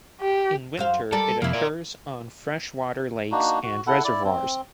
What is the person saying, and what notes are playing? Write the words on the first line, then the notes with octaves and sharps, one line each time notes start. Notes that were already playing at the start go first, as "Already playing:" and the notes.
In winter, it occurs on freshwater lakes and reservoirs.
G4
F#2 C5 F5
G3 A4 A#4 D5
F2 C3 A#3 E4
A#4 D5
A#3 D4 D#4 F#4
F#4
E4 A4 F#5
E4 D5
C4